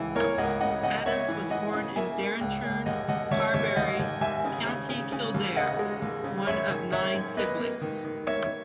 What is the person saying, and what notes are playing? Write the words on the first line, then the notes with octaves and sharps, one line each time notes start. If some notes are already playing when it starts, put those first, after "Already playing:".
Adams was born in Derrinturn, Carbury, County Kildare, one of nine siblings.
Already playing: C#2 E3
A#3 A#4 C#5
C#2 D#5 F#5
C#3 D#5 F#5
C#3 D#5 F#5
A#3 C#5 E5
E3
E3 D#5 F#5
C#3
A#3 E5 G#5
A#3
C#2
C#2
D#2 D#5 F#5
D#2 D#5 F#5
D#2 C#5 E5
D#2 C#5 E5
D#2 D#5 F#5
D#2
D#2 E5 G#5
C#3
C#3
C#3
C#3
D#2
C#3 D#5 F#5
G#3
D#2
C#3
F#2 C#5 E5
D#3
D#3 C#5 E5
F#2
A#3 B4 D#5
A#3
D#3
D#3
A#3 C#5 E5